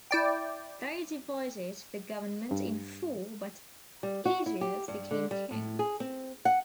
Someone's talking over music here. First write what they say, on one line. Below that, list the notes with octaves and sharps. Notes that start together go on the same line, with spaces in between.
They divided the government in four but Aegeas became king.
E4 D5 G5
G2
G3
F#4
E4
G4
G2
D3
G3
A2
G#4
C4
F#5